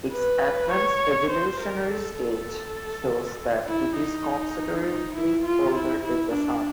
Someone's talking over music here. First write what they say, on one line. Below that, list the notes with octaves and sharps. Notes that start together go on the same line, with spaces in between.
Its advanced evolutionary stage shows that it is considerably older than the Sun.
B4
C#5
C5
A#4
A4
A4
E4
D#4
D#4
E4
F4
E4
E4
D4